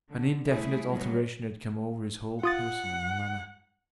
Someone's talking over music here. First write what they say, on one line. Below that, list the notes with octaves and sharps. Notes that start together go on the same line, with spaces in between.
An indefinite alteration had come over his whole person and manner.
D3
G3 A3 E4 G#4
F#3 G3 B3 C#4
F4 F#5 D#6 A6